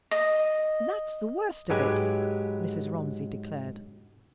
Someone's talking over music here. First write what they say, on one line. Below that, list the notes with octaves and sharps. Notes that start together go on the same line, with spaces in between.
"That's the worst of it!" Mrs. Romsey declared.
D#5
G#2 F#3 G#3 G4 B4 G#5